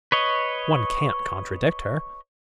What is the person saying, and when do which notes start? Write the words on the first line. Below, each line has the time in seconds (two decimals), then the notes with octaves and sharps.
One can't contradict her.
0.12 B4 C#5 D#5